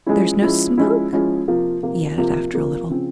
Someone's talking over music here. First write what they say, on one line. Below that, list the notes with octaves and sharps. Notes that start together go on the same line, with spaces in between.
"There's no smoke," he added after a little.
F3 G#3 C#4 E4
F3 G#3 C#4 E4
F3 G#3 C#4 E4
F3 G#3 C#4 E4
C3 F3 A#3 F4
C3 F3 A#3 F4
C3 F3 A#3 F4
C3 F3 A#3 F4
C#3 F3 C4